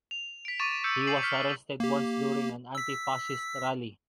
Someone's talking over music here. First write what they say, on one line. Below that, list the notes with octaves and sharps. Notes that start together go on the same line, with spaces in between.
He was arrested once during an anti-fascist rally.
F7
B6 D7
C#6 D6 A6 D#7 E7
E6 G6 C#7
C7 D#7 F#7
F6 B6
A#3 G4
E6 B6